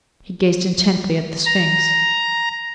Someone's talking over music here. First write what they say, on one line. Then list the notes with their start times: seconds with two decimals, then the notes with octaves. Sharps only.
He gazed intently at the sphinx.
1.46 A#5